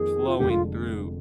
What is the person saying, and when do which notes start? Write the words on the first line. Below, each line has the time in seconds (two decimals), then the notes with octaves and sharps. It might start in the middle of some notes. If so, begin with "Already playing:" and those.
flowing through
Already playing: F2 D#3 A#3 G#4
0.28 F4
0.38 F1 F2 D3 G#3 D4 G4
0.50 F4